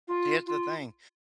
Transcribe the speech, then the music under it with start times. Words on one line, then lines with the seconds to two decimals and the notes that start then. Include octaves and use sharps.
here's the thing.
0.08 F4
0.47 F4